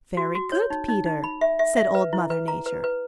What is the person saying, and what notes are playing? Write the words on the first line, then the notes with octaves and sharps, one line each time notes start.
"Very good, Peter," said Old Mother Nature.
F#4
F#4
C#5
D#4
D#4
D#4
B5
E5
E5
E5
B4
E4
B4
A#5
B4
B4